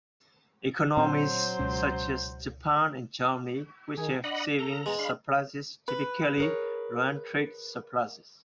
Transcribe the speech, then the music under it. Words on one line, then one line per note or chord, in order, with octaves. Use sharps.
Economies such as Japan and Germany which have savings surpluses, typically run trade surpluses.
A#2 F#3 C4 D4 C5
C#2 B2 C#4
D#3 G#4
D4 D#5 F#5 B5
A4 A#5
G#3 B3
D4 F5 B5
B4
G#4 A#4 C#5